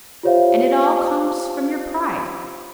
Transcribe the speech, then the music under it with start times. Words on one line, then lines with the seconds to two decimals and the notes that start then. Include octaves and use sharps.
And it all comes from your pride.
0.23 F4 G4 C5 C#5 E5 F5